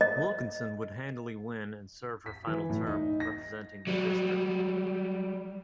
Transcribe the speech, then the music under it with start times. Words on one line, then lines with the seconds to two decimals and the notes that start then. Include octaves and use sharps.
Wilkinson would handily win and serve her final term representing the district.
0.01 D#5
2.26 B6
2.47 E3
2.70 A2
2.87 D#4
3.20 A#6
3.87 F#3 G3